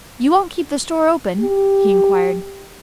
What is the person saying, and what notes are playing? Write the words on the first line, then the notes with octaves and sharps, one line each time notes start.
"You won't keep the store open?" he inquired.
G4